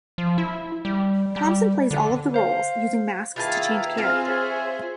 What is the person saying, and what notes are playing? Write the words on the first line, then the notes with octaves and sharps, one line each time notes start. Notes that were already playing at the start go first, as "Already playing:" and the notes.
Thomson plays all of the roles, using masks to change character.
F3
E4
G3
G3
D3
C5 F5
D#3 A#3 E4 F4 G#4 B4 F5 A5
C4 F4 G#4 C5 F5
C#5 E5